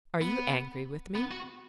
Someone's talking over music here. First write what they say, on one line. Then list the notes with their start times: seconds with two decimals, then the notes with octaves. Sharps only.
Are you angry with me?'
0.22 B3
1.16 B3
1.31 F#4